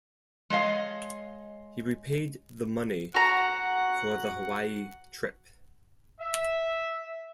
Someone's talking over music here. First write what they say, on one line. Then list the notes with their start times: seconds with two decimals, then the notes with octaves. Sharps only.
He repaid the money for the Hawaii trip.
0.50 G#3 C#5 D#5 F5
3.15 F#4 F#5 A#5
6.20 E5